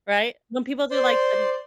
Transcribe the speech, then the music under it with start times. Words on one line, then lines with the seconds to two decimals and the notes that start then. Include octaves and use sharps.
right? When people do, like, the
0.91 C5 D5 C6